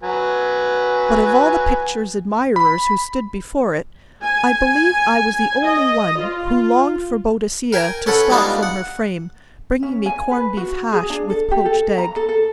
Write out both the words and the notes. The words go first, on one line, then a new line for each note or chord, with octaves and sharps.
But of all the picture's admirers who stood before it, I believe I was the only one who longed for Boadicea to stalk from her frame, bringing me corned-beef hash with poached egg.
F#3 B4 G#5
B5
G#5
D#5
F4
A#4 G5 G#5
C#4 A4 B4 F#5
G3 G#3 B3 D4 D#4 F4
F#5
C#4
G#5
B4
F#4
G#4
D4
A4
G4
A4
A#5
A4
A4